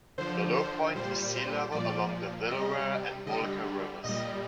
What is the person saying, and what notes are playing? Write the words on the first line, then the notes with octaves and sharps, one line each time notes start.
The low point is sea level along the Delaware and Mullica rivers.
D3 F3 C5
C5
A#2 G3 C5
C5
A#2 F3 D5
C3 G3 D#5
D3 G3 D#5
A#2 G3 D#5